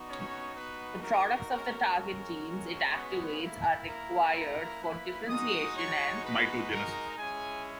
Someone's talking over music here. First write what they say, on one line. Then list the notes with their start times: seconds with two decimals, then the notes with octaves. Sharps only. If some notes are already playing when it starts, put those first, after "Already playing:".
The products of target genes it activates are required for differentiation and mitogenesis.
Already playing: B3 D#4 F#4
0.09 C#4 C#5
0.56 B3 B4
1.02 A#4
1.50 G#3 C#4 F#4 A#4
1.98 A#4
2.92 B3 B4
3.39 A#3 E4
3.87 A#4 A#5
4.35 A#4 A#5
4.81 B4 B5
5.29 G#3 D#4 F#4 D#5 D#6
5.76 C#5 C#6
6.24 B4 B5
6.71 A#4 A#5
7.18 G#3 C#4 E4 G#4 G#5